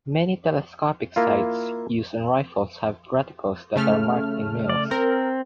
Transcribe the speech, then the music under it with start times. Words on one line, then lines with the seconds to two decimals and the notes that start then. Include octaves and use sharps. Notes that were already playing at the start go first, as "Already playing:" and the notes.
Many telescopic sights used on rifles have reticles that are marked in mils.
1.16 A#3 E4 F4
3.76 C#3 A3 F6
4.70 D5
4.91 C4 A#4